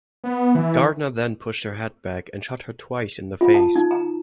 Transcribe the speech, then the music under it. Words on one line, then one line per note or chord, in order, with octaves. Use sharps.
Gardner then pushed her head back and shot her twice in the face.
B3
E3
F4
A5
D#4
A#5